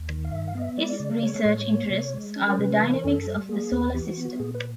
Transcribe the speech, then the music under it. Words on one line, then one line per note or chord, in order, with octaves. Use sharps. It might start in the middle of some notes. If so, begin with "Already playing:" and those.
His research interests are the dynamics of the Solar System.
Already playing: D#2
D#3
F5
G2 E5
F5
B3 D#5
E5
G#3 D5
C#3
D5
G#3 C#5
A2
A#3
C3
G#3
C#4
A#4
C3 B4
E3
A#4
F#2 A4
G3
A#3 G#4
D#2
E3 G4
F#4
B3
F#4
A#2 G#4
B4